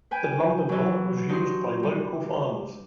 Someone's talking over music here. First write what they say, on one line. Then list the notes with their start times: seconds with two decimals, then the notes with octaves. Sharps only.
The lumbermill was used by local farmers.
0.11 B4 G5 G#5
0.69 E3 F#3
1.29 G2 D#4 F#4 C6 F#6
1.83 G3